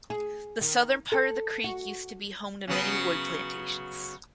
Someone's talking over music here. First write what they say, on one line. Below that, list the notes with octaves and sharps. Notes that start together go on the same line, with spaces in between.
The southern part of the creek used to be home to many wood plantations.
G#4
D#3
A4
F#4
C#3 F#3 B3